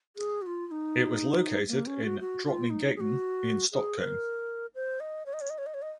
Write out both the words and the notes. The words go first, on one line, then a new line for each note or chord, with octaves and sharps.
It was located in Drottninggatan in Stockholm.
G#4
F#4
F4
F4
D#4
A#3
C#4
F#4
F#4
F#4
F4
D#4
G#4
F#4
G#4
A#4
C5
D#5
C#5
D#5
C#5
D#5
C#5
D#5
C#5
D#5